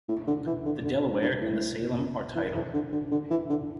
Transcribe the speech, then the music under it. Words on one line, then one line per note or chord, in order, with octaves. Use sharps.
The Delaware and the Salem are tidal.
A2
D3
E3
D3
D3
G2
A2
E3
E3
D3
D3
D3
E3
D3